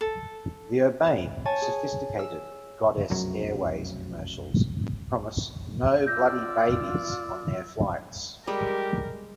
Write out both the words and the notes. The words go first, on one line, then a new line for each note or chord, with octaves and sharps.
The urbane, sophisticated Goddess Airways commercials promise "no bloody babies" on their flights.
A4
C#5 G#5 A5
G#4
E6
F1 B1 F#2 F#3
F4 D5 E6 G6 A#6
G3 G#3 G4 A#4